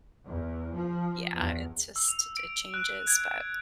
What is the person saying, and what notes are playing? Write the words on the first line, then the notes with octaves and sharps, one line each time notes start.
yeah, it just it changes, but
E2
F3
E2
E6
F7
D7
F#6
G#6
D7